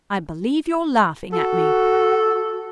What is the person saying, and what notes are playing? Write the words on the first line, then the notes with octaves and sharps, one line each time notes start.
I believe you're laughing at me!
F#4 A4